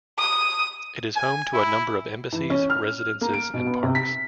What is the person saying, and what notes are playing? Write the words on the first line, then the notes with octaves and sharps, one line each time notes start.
It is home to a number of embassies, residences and parks.
D#6
G#5
E4
E3
C#4
F6
A#3
D7
B2
B3
C3
B6